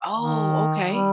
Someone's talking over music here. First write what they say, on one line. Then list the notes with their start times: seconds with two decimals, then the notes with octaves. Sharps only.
Oh, okay.
0.17 D#3
0.86 G3